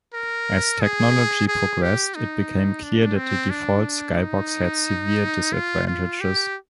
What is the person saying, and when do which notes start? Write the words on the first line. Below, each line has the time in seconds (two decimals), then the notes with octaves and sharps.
As technology progressed, it became clear that the default skybox had severe disadvantages.
0.14 A#4
0.81 G#4
1.48 G#4
1.82 G4
2.15 D#4
2.83 D4
3.16 C4
3.50 D4
4.19 D#4
5.53 F4
5.87 F4
6.21 G4